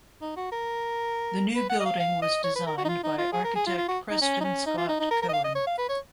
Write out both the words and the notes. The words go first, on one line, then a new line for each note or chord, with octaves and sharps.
The new building was designed by architect Preston Scott Cohen.
D#4
F#4
A#4
B4
F#5
D#5
F5
F5
D#5
C#5
B4
A#4
F#4
D#4
F4
D#4
F4
G#4
A#4
G#4
F4
F4
F#4
D#4
C#4
D#4
C#4
D#4
F4
D#4
D#4
A#4
A#4
D#5
F5
D#5
C#5
F5
B4
C#5